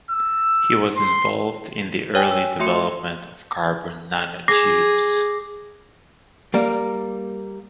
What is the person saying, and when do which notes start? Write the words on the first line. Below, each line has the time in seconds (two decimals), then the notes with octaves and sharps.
He was involved in the early development of carbon nanotubes.
0.11 E6
0.97 C6
2.15 C#5 G5 G#5
2.31 E6
2.59 A3 F#4 E5 C6 C#7
2.73 D#5 C6
4.48 G#4 D6 A#6 C7
6.54 G3 A#3